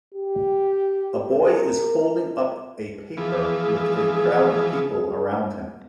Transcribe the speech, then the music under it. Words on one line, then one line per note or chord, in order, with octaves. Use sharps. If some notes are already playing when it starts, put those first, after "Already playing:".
A boy is holding up a paper with a crowd of people around him.
G4
A#4
E3 F3 B3 G#4